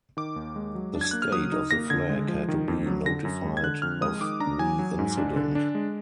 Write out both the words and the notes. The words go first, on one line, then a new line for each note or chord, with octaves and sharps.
The state of the flag had to be notified of the incident.
D#3 D6
D#2
G#3
F#3
D4
G#6
A#3 F#6
F6
F#3 D#6
D#4
A#3 A#6
D3 G#6
G#3
F3
D#3
F2
F#3
D3 A#6
F#2
G#3
G#6
D3 F#6
F2 F6
G#3 D#6
D#3 D6
D4 A#5
F#3 G#5
F#3
G#2
D4
D3
D4
G#3